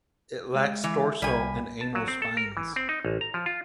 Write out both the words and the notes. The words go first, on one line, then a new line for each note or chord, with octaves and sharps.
It lacks dorsal and anal spines.
G#3
E3
C2 G3 G#5 B6
A5
F#3
C4
A4
A#4
E3
C4
D#4
A1
A#5
F3
F4